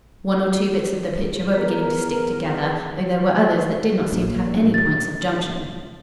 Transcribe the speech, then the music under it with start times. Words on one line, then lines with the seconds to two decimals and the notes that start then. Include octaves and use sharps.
One or two bits of the picture were beginning to stick together, though there were others that did not seem to have any points of junction.
1.55 B3 G#4 A#4 B4
4.12 A#1
4.74 A6